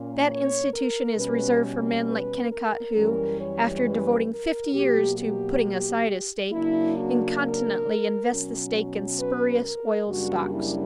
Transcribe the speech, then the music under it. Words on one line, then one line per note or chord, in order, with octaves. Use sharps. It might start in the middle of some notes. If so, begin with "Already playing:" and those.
That institution is reserved for men like Kennicott who, after devoting fifty years to "putting aside a stake," incontinently invest the stake in spurious oil-stocks.
Already playing: A#2 A#3 C#4
C#5
A#4
B2 G3 C#4 B4
B4
A#4
F#2 E3 G3 C#4 A#4
C#5
B4
A#4
B2 F#3 A#3 G4
G4
C#3 F#3 A#3 D4 E4
F#4
A#4
B2 F#3 C#4
B4
A#4
F#2 C#3 G3 A#3 D4 F#4
E4